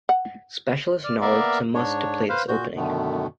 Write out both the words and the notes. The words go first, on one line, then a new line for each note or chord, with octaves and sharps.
Specialist knowledge is a must to play this opening.
F#5
D5 F6
A#3 B3 A#4 D5 E5 F5
G#2 D4 C#5
B4 C5 F5
A#2 F#4 G6
F#2 B2 D3 D#3 A3 B3